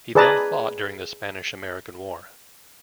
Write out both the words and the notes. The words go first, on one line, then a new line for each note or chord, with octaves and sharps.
He then fought during the Spanish-American War.
G#4 B4 D5 A5 A#5